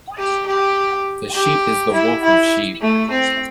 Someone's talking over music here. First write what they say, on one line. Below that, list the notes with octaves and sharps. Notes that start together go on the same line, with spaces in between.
The sheep is the wolf of sheep.
G4
G4
G4
E4
E4
A3
C4